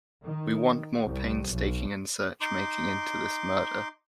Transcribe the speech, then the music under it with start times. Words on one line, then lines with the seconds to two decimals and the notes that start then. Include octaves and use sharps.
We want more painstaking and search-making into this murder.
0.24 D#3
1.03 C2
1.50 B1
2.41 D#4 C6 D6